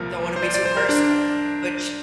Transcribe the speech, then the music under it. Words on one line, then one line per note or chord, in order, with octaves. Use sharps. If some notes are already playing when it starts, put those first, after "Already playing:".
don't wanna be too personal, but she
Already playing: C2 A#2 F3 A#4
C5
D5
D5
C5
A#4
D4